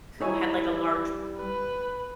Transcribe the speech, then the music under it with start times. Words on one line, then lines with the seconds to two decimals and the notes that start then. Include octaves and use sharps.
who had, like, a large,
0.21 G3 D#4 E4 C#5 G#5
1.38 B4